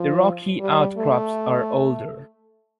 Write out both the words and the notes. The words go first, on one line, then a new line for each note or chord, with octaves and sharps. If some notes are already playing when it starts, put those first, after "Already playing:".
The rocky outcrops are older.
Already playing: F3
G3
A3